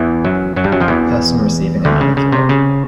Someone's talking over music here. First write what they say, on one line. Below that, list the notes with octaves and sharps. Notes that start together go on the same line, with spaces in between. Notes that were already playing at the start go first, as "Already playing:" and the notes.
Person receiving a manicure.
Already playing: E2 E3
F#2 F#3
F#2 F#3
G2 G3
F#2 F#3
F2 F3
E2 E3
D2 D3
C#3
C#3
C3
C#3